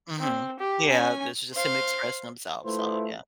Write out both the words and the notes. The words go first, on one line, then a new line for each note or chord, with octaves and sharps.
Mhm. Yeah, this is just him expressing himself, so yeah.
C4
G4
C#4 G#5
C5 F5
A3 E4 F4 B4 C5